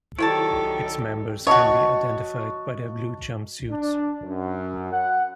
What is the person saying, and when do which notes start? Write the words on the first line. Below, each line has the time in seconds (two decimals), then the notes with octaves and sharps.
Its members can be identified by their blue jumpsuits.
0.19 C3 D#3 F#3 G3 E4 A4 C#5 A5
1.47 F#4 C#5 D#5 A5 C#6
3.70 D4
4.23 F#2
4.93 F#5